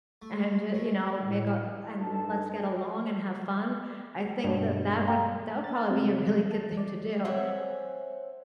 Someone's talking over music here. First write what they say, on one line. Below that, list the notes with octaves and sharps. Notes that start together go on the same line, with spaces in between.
and, you know, make a and let's get along and have fun, I think that that would that would probably be a really good thing to do.
A3
A3
A2
G2 D#4 A4 A5
G2 B2 C#5 D5
F5 G5 A#5
A6
C3
A5
D5
C4 C#4 E5 F#5